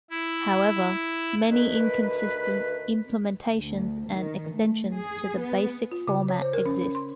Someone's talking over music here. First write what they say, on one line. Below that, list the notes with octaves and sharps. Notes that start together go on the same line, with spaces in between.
However, many inconsistent implementations and extensions to the basic format exist.
E4
D2 D#3 B4
D2
D#3
A3
G#4
B3
F4
C#3
C#5
C5
A#4
C#4
C#4
C6